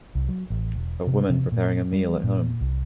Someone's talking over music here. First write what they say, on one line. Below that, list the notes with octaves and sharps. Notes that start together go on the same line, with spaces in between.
A woman preparing a meal at home.
C2
F#3
A1
E1
C3
C3
A#2
G3
A#2
C2